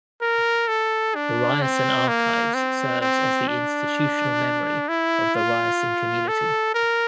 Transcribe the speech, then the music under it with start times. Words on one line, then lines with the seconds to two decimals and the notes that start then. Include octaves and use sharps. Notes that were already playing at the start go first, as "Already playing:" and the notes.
The Ryerson Archives serves as the institutional memory of the Ryerson community.
0.22 A#4
0.68 A4
1.15 D4
1.62 C4
2.08 A#3
2.54 C4
3.01 C4
3.48 D4
4.89 E4
5.35 F4
6.28 A4
6.75 A#4